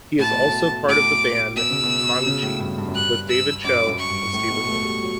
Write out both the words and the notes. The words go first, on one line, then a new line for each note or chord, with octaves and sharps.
He is also part of the band Mangchi with David Choe and Steven Lee.
A2 A5
B2
A2
A2 D6
B2 E6
C#3
B2
C#3
A2
G2
G2
F#2
G2 F#6
E6
F#2 D6
F#2
C#6
G2
A2
B2
A3
G3
F#3